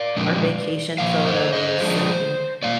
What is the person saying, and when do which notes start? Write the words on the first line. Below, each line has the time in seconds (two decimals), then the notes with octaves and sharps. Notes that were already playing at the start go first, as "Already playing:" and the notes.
our vacation photos and
Already playing: D5 F5
0.17 A#2 F3 G#3 D4
0.98 A#2 F3 A#3 F5
1.26 C5 D#5
1.53 C5 D#5
1.81 F3 G#3 D4
2.63 G3 A#3 D5 F5